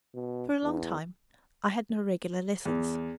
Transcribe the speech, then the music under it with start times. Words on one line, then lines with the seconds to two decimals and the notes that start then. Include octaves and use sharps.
For a long time I had no regular lessons.
0.15 B2
0.63 E2
2.65 E2